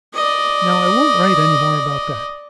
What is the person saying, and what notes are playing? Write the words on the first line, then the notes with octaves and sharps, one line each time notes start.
Now I won't write any more about that.
D5 D#5